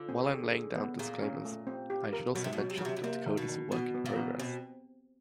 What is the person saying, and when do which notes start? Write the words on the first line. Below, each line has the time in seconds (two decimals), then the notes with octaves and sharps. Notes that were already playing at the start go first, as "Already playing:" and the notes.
While I'm laying down disclaimers, I should also mention that the code is a work in progress.
Already playing: D3 F4
0.09 C4
0.31 G#4
0.53 G#4
0.76 B3
0.99 A#2 G#4
1.23 C#4
1.45 A3
1.67 C4
1.90 G4
2.13 A#4
2.35 B2 F#3
2.44 C3
2.53 B2
2.58 F#3
2.70 C3
2.77 C#3
2.81 C3 F#3
2.97 B2
3.03 C3 A#3
3.26 D#3
3.37 B2
3.49 D#3
3.72 B2 B3
3.94 B3
4.06 A#2
4.16 B3
4.39 B2 C4